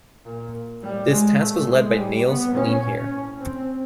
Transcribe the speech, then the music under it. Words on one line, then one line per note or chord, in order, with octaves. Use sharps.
This task was led by Niels Leenheer.
A#2
A2 G3
G#3
A2 A3
G#3
A2 G3
B3
A#2 C#4
A2
C4